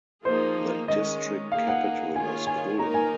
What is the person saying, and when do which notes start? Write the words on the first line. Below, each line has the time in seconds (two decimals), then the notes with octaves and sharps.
The district capital was Kulm.
0.24 F3 A#3 D#4 G#4 C5
0.88 D#3 G#3 C#4 D#5
1.52 A#3 D#4 G#4 F5
1.68 F#5
2.15 D#3 A#3 F4 G#4 C#5 G#5
2.47 G#5
2.79 D#3 A#3 D#4 A#4 A#5
2.94 G#5